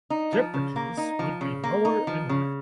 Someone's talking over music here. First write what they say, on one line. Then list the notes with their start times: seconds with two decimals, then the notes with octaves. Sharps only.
Temperatures would be lower inland.
0.10 D#4
0.33 F3
0.54 C#3
0.76 A#3
0.97 D#4
1.19 F3
1.41 C#3
1.64 A#3
1.85 D#4
2.07 F3
2.29 C#3